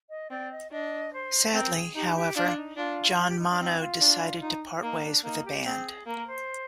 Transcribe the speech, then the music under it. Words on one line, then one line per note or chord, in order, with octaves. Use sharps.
Sadly, however, John Mono decided to part ways with the band.
D#5
C4 D5
D#5
D4 D#5
C5
C4 A#4
G#4
D#4 G4
G4
D4 F4
D#4
D4 F4
F4
G4
D#4
D4
C4 D#4
F4
D4
D#4
A#3 D#4
D4
A#3 D#4
G4
C4 G#4
A#3 A#4
C5